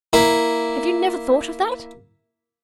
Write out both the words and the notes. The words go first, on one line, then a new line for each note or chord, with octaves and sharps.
Have you never thought of that?'
A#3 E4